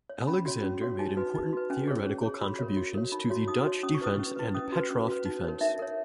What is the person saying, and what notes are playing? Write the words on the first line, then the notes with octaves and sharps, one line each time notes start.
Alexander made important theoretical contributions to the Dutch Defence and Petroff Defence.
C#5
C#4 B5
F#4 C#5
C#4
F#4 C#5
D#4 G#5
F#4 B4
D#4
F#4 B4
C#4 G#5
G#4 C#5
C#4
G#4 C#5
F#4 B5
A#4 C#5
F#4
A#4 C#5
D#4 B5
F#4 C#5
D#4 D#6
F#4 C#5
C#4 D#6
C#6
E4 B4 D#6
C#4
E4 B4
C#4 D#6
F#4 B4
C#4
F#4 B4
D#4
A#4 C#5
D#4 E5
A#4 C#5